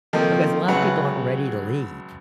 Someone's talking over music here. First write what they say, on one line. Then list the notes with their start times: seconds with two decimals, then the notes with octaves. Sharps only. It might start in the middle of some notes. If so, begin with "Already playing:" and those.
because a lot of people aren't ready to leave,
0.13 D#3 F3 A3 A#3 C4 D#4
0.68 G#1 C#3 F#3 B4 F#5